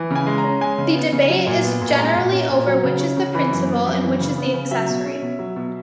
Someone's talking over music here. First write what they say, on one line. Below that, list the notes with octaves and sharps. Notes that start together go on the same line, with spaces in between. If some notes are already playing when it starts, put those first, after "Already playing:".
The debate is generally over which is the principal and which is the accessory.
Already playing: E3
C#3 G#5
G#3
A#5
C#4
G#3 G#5
C#3
B3
C#3
F#3
A#2
B3
A#2
G#3 A#5
A#2
C#4
A#2
F#3
C#3
C#4
C#3
E3 B5
F#2
B3
F#2
E3
C#3
B3
C#3
F#3 E5
B2
C#4
B2
F#3
B2